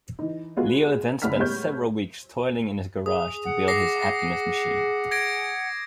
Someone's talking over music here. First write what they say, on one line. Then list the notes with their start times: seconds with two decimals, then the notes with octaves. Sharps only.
Leo then spends several weeks toiling in his garage to build his Happiness Machine.
0.19 E3 D#4
0.57 G#3 B3 F4 F#4 G#4
1.22 F#1 A2 F#5 F6 B6
1.37 A2 G3 G#3 B3 C#5 G6
3.06 G#4 D#6
3.45 F#5
3.67 D6 A#6 C7
4.03 A#6
5.11 G#6 A#6 D7